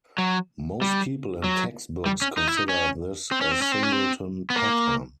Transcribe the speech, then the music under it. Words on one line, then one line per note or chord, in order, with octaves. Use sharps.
Most people and textbooks consider this a singleton pattern.
F#3
G3
F#3
G3
C#4
D#4
E4
D#4
C#4
C4
C#4
C4
C#4
C4
C#4
C4
B3
A#3